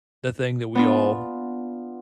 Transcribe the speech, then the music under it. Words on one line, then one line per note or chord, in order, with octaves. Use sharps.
the thing that we all
B3 D4 F4